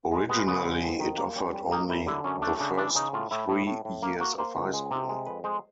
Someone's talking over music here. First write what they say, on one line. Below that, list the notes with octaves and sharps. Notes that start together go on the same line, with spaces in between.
Originally it offered only the first three years of high school.
G#3
G#3 B3
C#3 B3
G#3
F2
D#3
A#3
G3 C#4
G3
A#3 D#4
F#2 E4
D3 E4
F#2 C#4
A3 D4
C#3 D4
E3 D4
C#3 D#4
A2 F4
A2 E4
A2
A2
A2
A#3
A#3 F#4
A#3 C5
C#2
G#3
C3
G#3
F2 B4
G#3 C5